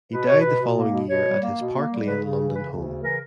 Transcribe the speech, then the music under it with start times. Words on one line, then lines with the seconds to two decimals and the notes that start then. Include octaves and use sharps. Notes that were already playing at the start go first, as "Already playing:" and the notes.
He died the following year at his Park Lane London home.
0.12 B2 B4
0.26 B2 C#5
0.40 B2 B4
0.60 B2
0.77 A#3
0.93 B2
1.09 B2 C#5
1.25 G3
1.42 A#3
1.59 B2
1.74 A#3
1.90 G3
2.06 C#3 B4
2.22 C#3
2.38 E3
2.54 C#3 B4
2.71 D2
2.87 C#3
3.03 E3 A#4